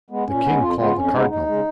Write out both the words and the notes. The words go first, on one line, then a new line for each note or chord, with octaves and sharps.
The king called the cardinal.
G#3 B3
A#2 C#4
G#3 B3
F2 F4
C#3 G#3 B3 F4
F2 C#4
C#3 G#3 B3 D#4
D#2 D#4
C#3 G#3